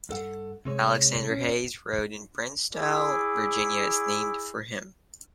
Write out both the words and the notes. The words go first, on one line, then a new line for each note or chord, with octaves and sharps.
Alexander Hays Road in Bristow, Virginia, is named for him.
G2 A4 F#5
C3 G#3 C#5
C#4
E4 G#4 D5